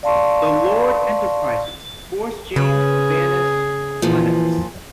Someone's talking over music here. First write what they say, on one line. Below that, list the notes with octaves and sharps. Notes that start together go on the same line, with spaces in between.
The Lord Enterprisers forced James to banish Lennox.
D5 F5 A5 C6 C#6
C#3 G#4 B4
A#2 E3 F3